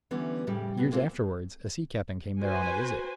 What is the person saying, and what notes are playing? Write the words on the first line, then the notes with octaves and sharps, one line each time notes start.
Years afterwards a Sea Captain came there on a visit.
D3 E3 G3 B3 C#4
F2 A2 C#3 G3
B2 B3
G#3 A#3 C4 F4 A4
F#4 B4 C5 G#5